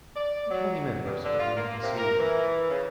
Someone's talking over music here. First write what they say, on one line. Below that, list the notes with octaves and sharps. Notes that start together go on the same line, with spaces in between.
What had he meant by speaking of the sea?...
D5
F#3
G2
D3
F4
A#3
C3
A#4
E3
C#3